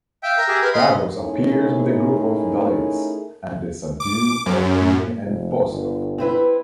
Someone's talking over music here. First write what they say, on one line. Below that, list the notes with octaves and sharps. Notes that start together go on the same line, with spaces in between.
Davros appears with a group of Daleks, and they subdue Orcini and Bostock.
E5 F5 G5
A#4
G4 G#4 E5
A#4 B4
D#5 F5 B5 C6
A3 C#4 D#4 E4 G#4 A#4
D6
F#2
F1
G1
C4 E4 B4